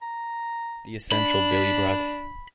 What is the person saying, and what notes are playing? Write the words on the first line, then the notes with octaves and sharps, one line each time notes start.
The Essential Billy Bragg.
A#5
D4 B5